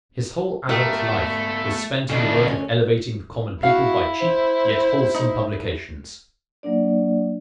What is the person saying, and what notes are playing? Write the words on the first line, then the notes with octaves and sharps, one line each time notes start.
His whole adult life was spent in the work of elevating the common people by cheap, yet wholesome, publications.
A3 B3 F4 G4 A#4 E5
D2 C#3 D4 A4 D#5
C#4
E4 F#4 F5
C5
D#4
F#3 A#3 D4 D5